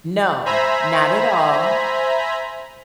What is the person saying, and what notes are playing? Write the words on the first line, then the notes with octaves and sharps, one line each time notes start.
No, not at all.
C5 E5 G#5 A#5 B5